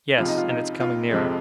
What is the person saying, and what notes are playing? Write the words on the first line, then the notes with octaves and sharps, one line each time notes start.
"Yes, and it's coming nearer."
C#2 C3 F3 G#3 F4
D#4
F4
D#4
F4
F2 C3 F3 G#3